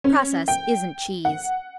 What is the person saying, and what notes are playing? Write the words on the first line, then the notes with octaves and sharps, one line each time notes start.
Process isn't cheese!
C#4
G5
F#5